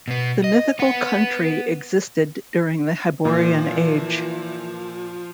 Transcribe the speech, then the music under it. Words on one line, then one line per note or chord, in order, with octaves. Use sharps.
The mythical country existed during the Hyborian Age.
B2 B3
D#5
B3 F#5
A#2 E3 F3